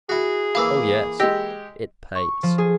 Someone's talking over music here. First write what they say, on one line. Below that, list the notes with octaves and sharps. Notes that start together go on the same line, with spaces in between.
"Oh yes, it pays."
E4 F#4 G#4
E3 A#3 E4 F5 D6 E6
G#3 G4 D#5 E6 A#6
C#6
F3
G#4